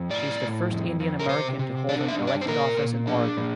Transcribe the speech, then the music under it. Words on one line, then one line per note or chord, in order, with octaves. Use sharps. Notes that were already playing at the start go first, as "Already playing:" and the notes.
She is the first Indian American to hold an elected office in Oregon.
Already playing: F2
A2 D5
A2
F2
F2
A#4
C3 C5
C3
D4 D5
E5
G2
D5
C5
A#2 A#4
A#2
D4
A#2